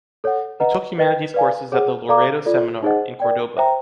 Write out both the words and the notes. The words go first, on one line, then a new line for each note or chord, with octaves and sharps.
He took Humanities courses at the Loreto Seminar, in Córdoba.
A4 C#5 F#5
B4 D#5 F#5 A#5
B4 D#5 G5
B4 D5 F5 G#5
G#4 C#5 F#5
A4 D5 F5 A#5 D6
F4 A4 D5
D#4 G#4 C5 D#5 F#5
A#4 D5 G5
C5 E5 G5 A#5